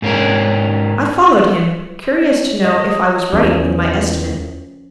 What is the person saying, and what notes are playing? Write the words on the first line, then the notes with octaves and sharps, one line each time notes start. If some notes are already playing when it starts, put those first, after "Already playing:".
I followed him, curious to know if I was right in my estimate.
G#2 A#3 C#4 A#4
D#5
E2 F3 C#4